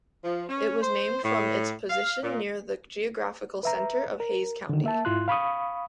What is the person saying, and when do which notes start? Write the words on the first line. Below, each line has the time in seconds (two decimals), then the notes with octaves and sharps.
It was named from its position near the geographical center of Hayes County.
0.24 F3
0.49 C#4
0.82 C5
1.24 A2
1.90 F5
2.23 A#2
3.63 B4 E5 A#5
4.20 A#4
4.69 D3 D#3
4.84 A#3 E5 A5
5.05 G#2 E4 F4 C6 F#6
5.28 F5 B5 C#6 D#6